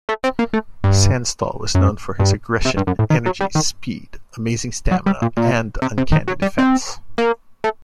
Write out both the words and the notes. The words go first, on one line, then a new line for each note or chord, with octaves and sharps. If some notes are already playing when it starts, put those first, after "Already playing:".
Sanstol was known for his aggression, energy, speed, amazing stamina and uncanny defense.
A3
C4
A#3
A3
G2
F#2
G2
C3
G2
F#2
A2
D#3
F#3
G3
D#3
F#3
G3
A#2
A#2
C3
C3
D#3
F#3
G3
C4
A#3
A3